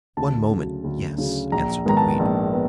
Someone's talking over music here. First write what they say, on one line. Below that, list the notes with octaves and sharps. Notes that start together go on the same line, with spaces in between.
"One moment, yes," answered the queen.
D2 A5
C#3 F#3
D2
C#3 F#3
A#1 A#5
G#2 D#3 G#3 B3 A#5
A5
A#1
B3